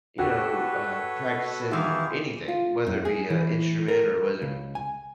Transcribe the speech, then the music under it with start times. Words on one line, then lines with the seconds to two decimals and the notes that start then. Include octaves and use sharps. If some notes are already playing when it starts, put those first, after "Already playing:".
you know, uh, practicing anything, whether it be a instrument or whether
0.19 F#4 G4 A4 B4 C#5
1.38 B2
1.71 D#3 E3 E4 F4 G4 G#4
2.48 F4
2.87 F#2
3.05 G#4
3.30 E3
3.88 A#4
4.42 C#2
4.75 G#5